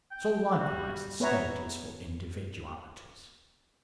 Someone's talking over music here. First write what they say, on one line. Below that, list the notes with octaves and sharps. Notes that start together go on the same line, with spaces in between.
So likewise the State is for Individualities.
G5
G3 F#4
B3 B4 C#5 E5 A#5